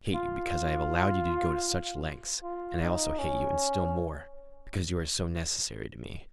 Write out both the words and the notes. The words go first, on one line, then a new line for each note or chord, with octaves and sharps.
I hate you because I have allowed you to go to such lengths, and I also hate you and still more--because you are so necessary to me.
F4
F4
D#4
C#4